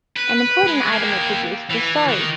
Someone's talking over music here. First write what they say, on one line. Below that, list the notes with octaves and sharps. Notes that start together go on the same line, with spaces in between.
An important item it produced was sari.
B4
G#3
A#3 G4
E3
D#3